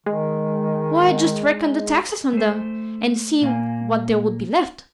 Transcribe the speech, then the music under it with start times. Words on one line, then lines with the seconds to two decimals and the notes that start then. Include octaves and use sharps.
Why, just reckon the taxes on them, and see what there would be left!
0.06 D#3 G#3
2.33 A3 C5
3.41 A#2 A#3 G#5